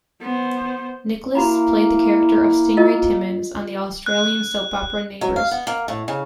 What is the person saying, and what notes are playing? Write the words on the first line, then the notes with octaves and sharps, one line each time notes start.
Nicholas played the character of Stingray Timmins on the Australian soap opera Neighbours.
B3 C5
A#3 E4 F#4 A#5 B5
F4 A#4 D#5
F#6
F#3
F5
B3
A#3
A2
C#3